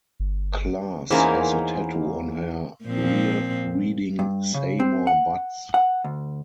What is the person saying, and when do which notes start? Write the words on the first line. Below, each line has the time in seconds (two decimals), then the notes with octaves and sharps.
Klass has a tattoo on her rear reading Seymore Butts.
0.20 G1
1.10 E2 E3 A#3 C#4 D#4 G#4 A#4 C5
2.85 A#2 F3 C4
4.19 G2
4.54 C#3
4.80 C4
5.07 F#5
5.74 F#5
6.04 D2